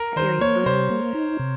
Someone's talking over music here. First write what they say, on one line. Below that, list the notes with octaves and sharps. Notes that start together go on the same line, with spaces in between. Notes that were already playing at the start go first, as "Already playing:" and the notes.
area, Boone,
Already playing: A#4
D#3 C5
A#3 C#5
C3 C5
A#3
D#4
C3